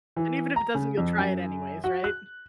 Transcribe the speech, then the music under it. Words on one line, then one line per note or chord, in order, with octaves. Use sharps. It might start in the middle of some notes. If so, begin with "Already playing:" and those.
And even if it doesn't, you'll try it anyways, right?
E3
A#5
C#3
F2
F#2
F#4
F#6